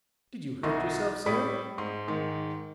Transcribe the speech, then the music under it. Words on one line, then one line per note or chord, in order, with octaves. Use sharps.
"Did you hurt yourself, sir?"
B1 D#4 E4 F#4 C6
A2 G3 D5 B5 D#6 B6
G#2 C6
G#2 D#3